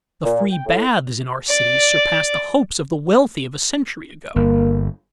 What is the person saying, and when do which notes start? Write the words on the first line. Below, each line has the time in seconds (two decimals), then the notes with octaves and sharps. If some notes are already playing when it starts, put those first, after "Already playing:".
The free baths in our cities surpass the hopes of the wealthy of a century ago.
0.25 A#2
0.51 G5
0.66 A2
1.49 D5
4.36 G1 A#3